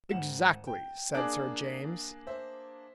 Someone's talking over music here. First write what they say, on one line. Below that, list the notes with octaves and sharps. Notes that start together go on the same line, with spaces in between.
"Exactly," said Sir James.
G#1 F#5 E7
G5
A#3 D4 G#4 D6 F#6 D7
C5 E5